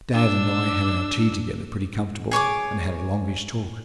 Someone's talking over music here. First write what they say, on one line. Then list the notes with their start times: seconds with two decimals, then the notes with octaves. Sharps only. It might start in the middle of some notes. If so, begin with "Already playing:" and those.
Dad and I had our tea together pretty comfortable, and had a longish talk.
0.14 D4 E6
2.31 G#4 C#5 G#5 D6